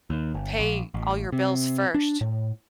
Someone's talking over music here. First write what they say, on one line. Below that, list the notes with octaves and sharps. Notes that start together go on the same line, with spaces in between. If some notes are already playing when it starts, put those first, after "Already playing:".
pay all your bills first
D#2
G1
A#1
A1
C3
D4
A2